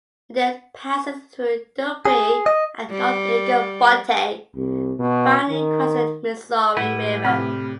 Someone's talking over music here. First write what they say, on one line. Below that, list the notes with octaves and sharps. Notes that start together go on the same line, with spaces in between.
It then passes through Dupree and North Eagle Butte, finally crossing the Missouri River.
G#4
D#5
G3
C2
B2
D#3
A2 G3 E4 B4 F#5
C3 B5 F6